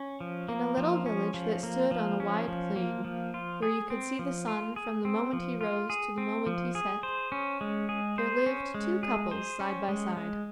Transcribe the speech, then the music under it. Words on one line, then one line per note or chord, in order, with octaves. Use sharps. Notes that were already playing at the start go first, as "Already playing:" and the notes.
In a little village that stood on a wide plain, where you could see the sun from the moment he rose to the moment he set, there lived two couples side by side.
Already playing: C#4
F3
A#3
F3
C#4
F3
A#3
F3
C#4
F3
A#3
F3
F4
G#4
C4
F3
F4
G#4
C4
F3
F4
G#4
C4
F3
G#4
C5
C#4
G#3
G#4
C5
C#4
G#3
G#4
C5
C#4
G#3
G#3